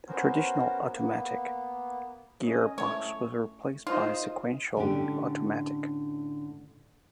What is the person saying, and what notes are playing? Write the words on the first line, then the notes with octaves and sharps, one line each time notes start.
The traditional automatic gearbox was replaced by a sequential automatic.
B3 C#4 F#4 A#4 C5
A#3 B3
C#4 D#5
A3 C#5
D#4 F4 C5 D#5
A2 D3 A3 C#4 D4 G4